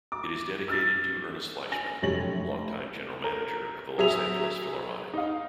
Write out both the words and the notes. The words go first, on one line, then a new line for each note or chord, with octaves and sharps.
It is dedicated to Ernest Fleischmann, long-time general manager of the Los Angeles Philharmonic.
D6
E6 F6 A6
G#5 A#6 F7
F1 F#2 G4 C#5 A#6 F#7
A3
A#4
F#3 G#4 E5 F7
D#4 F5